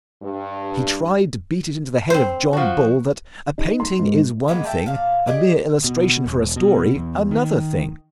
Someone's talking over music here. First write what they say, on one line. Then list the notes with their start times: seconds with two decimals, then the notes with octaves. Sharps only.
He tried to beat it into the head of John Bull that a painting is one thing, a mere illustration for a story another thing.
0.22 G2
2.10 C4 C5
2.53 F3 F#4
3.58 D#4
3.80 C6
3.99 G#2
4.48 D#3 G#3 A#3 B3
4.64 E5 G5 A5
4.86 A#2 F5
5.27 G4 G#4 D5 D#5
5.84 B2
6.26 E1
6.56 B2
6.95 E2
7.31 D#3